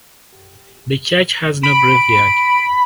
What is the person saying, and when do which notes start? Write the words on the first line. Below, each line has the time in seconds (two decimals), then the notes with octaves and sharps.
The church has no graveyard.
1.63 B5 D7